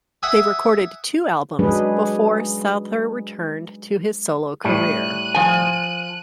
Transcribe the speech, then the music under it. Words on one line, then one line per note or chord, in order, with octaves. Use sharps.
They recorded two albums before Souther returned to his solo career.
E5 F#5 G#5 D#6
F#3 G#3 D4 G#4 B4
A2 G3 A3 F#6 D#7
F3 G#5